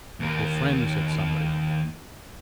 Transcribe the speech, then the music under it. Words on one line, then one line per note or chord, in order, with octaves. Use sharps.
"Your friend," said somebody.
D#2 A#4